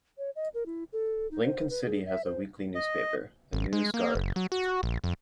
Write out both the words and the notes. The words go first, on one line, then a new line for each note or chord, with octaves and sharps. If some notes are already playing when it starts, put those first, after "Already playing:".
Lincoln City has a weekly newspaper, "The News Guard".
C#5
D#5
A#4
E4
A4
D#4
C5
B4
G#4
E5
C5
D#5
G#1
G#3
A#3
F#1
F#3
F#4
A#1
F2